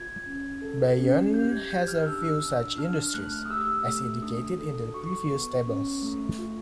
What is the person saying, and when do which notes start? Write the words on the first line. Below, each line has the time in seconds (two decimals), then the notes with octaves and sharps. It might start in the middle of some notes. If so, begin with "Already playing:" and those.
Bayonne has few such industries, as indicated in the previous tables.
Already playing: F4 G#6
0.26 C#4
0.62 A4
0.98 C#4
1.34 G4 G6
1.52 G#6
1.70 G4 G6
1.88 F6
2.06 D4 E6
2.42 D4
2.78 D4 F6
2.96 F6
3.14 A3 F#6
3.32 F6
3.45 D#6
3.50 G4 E6
3.86 A3
4.22 D4 D#6
4.58 A4
4.94 F#4 C#6
5.30 B3
5.67 C#4
6.02 A3
6.38 F4